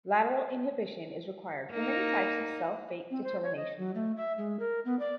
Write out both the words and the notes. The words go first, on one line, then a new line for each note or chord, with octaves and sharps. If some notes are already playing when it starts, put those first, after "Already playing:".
Lateral inhibition is required for many types of cell fate determination.
A#3 D#4
C4
C5
C#5
D#5
F#3
A3
E5
G#3
A#4
B3
D5